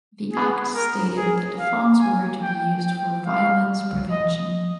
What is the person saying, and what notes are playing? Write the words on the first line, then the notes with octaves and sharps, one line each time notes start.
The act stated that the funds were to be used for "violence prevention".
G#4
A#4
G#4
F5
G#5
G5
G5
F5
D#5